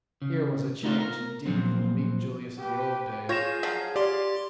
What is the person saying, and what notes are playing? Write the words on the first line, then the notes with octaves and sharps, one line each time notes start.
Here was a change indeed from the meek Julius of the old days.
C#3
A3 D#4 F4 F#4
A#4
A#2 F3 F#3 C4
G4 B4
F4 G#4 C#5 F5 G6 A#6 E7
F3 F#3
G4 D5 C6